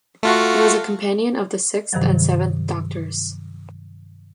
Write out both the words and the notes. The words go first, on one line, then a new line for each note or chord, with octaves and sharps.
He was a companion of the Sixth and Seventh Doctors.
A3 F4 F#4
G2 C3 D#3 F3 F#3